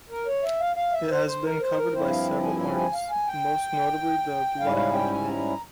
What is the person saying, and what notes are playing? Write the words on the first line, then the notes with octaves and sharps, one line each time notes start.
It has been covered by several artists, most notably the Bloodhound Gang.
A#4
C#5
E5
F5
F5
E5
C5
C5
A#4
C5
A#4
G2 F3 C4 E4 C5
F5
G#5
G#5
G#5
F5
G#5
G5
G#2 G3 C#4 E4 F5
F5
G5
G#5
A#5